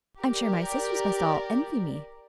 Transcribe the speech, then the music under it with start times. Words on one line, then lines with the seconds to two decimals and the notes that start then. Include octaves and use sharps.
I am sure my sisters must all envy me.
0.20 G4 A#4 D5